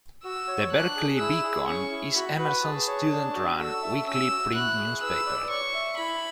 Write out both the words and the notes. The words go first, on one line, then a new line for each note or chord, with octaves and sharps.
"The Berkeley Beacon" is Emerson's student-run, weekly print newspaper.
F#4 E6
C#5
D4 F#6
G#4
E4 E6
G#4
C#4 C#6
E4
F#4 B5
B4
G#4 A5
C#5
D4
F#4
A4 E6
E5
C#4 E6
F#4
E4 F#6
G#4
B4 E6
D5
C#5 C#6
E5
E4 B5